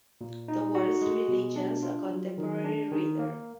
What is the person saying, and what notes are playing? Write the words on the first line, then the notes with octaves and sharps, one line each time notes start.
The World's Religions : A Contemporary Reader.
A#2
D#4
F#4
G#3
B2
D4
F4
F#3
D#3
D4
D#3
A#3